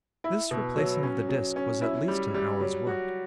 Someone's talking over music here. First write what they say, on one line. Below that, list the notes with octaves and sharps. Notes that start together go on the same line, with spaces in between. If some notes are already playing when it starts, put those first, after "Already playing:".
This replacing of the disc was at least an hour's work.
E4
B2
F#3
C#4
F#3
C#4
E4
G3
G3
F#3
F#4